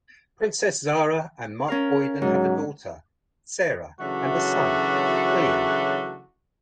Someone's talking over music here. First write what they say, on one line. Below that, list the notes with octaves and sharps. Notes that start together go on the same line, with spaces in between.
Princess Zahra and Mark Boyden have a daughter, Sara, and a son, Iliyan.
C#4 A#4 F5
G#2 F#3
C#3 E3 F#3 A3 D4 F#4